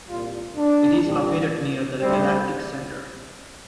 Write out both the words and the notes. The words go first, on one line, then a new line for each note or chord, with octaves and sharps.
It is located near the Galactic Center.
C2 A#2 G3 F4
D4
C2 A#2 G3
D2 C3 G3 C4